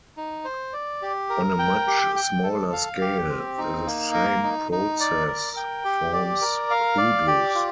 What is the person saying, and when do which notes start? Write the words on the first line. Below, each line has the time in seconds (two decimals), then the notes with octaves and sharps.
On a much smaller scale, the same process forms hoodoos.
0.17 D#4
0.45 C5
0.73 D5
1.02 G4
1.30 A#4
1.59 G5
1.87 G4
2.16 G5
2.43 A4
2.72 F5
3.01 G4
3.29 C4
3.58 D#4
3.86 A#3
4.14 A#4
4.43 D#4
4.72 D#4
5.00 D5
5.27 A#4
5.57 G5
5.84 G4
6.13 D5
6.41 A#4
6.71 F5
6.98 D5
7.27 G4
7.55 F4